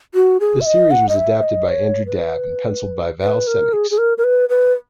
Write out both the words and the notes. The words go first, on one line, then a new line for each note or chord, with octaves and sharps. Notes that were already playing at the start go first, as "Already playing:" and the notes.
The series was adapted by Andrew Dabb and pencilled by Val Semeiks.
F#4
G#4
E5
D#5
F#5
D#5
E5
D#5
C#5
B4
B4
A#4
G#4
G#4
A#4
A#4
B4
B4